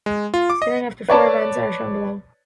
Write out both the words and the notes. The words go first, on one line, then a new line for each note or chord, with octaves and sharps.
Standings after four events are shown below.
G#3
F4
D6
D#5
B4 C#5 D5 A5